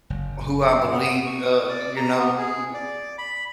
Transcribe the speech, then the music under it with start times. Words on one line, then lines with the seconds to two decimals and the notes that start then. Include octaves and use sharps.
who I believe, uh you know, b
0.10 F#1
0.91 B3
1.26 C#6
1.69 D5
1.97 A#5
2.18 B3
2.38 G#4
2.74 D5
3.18 B5